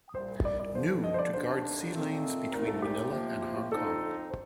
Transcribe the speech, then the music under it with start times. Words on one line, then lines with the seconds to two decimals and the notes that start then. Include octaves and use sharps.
New to guard sea lanes between Manila and Hong Kong.
0.15 C2 A#2 G3 C5
0.45 D5
0.60 D5
0.75 G2 D3 F3 C5
1.04 D#5
1.14 C5
1.18 D5
1.33 D#2 D3 G3 A#3 D4 C5
1.94 A#2 A3 C4 D#4
2.52 C2 A#2 A3 D#4 A#4
2.68 A4
2.82 G4
3.12 C3 F3 A#3
3.42 G4
3.56 G4
3.71 F2 D3 F3 C4 D#4 A4
4.30 C5